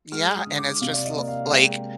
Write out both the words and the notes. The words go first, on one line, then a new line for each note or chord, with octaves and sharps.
Yeah, and it's just l like,
G#3 F6
D#6
D3
D6
C3 F5
D5
D#5
A#3
F5
F5
G#3 G5